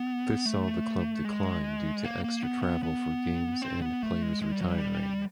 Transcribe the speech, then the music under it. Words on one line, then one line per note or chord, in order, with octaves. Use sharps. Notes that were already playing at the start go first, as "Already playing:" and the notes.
This saw the club decline due to extra travel for games and players retiring.
Already playing: B3
A3
G#3
A#3
A#3
B3
B3
B3
C4
B3
A3
G#3
G#3
G3
F#3
G3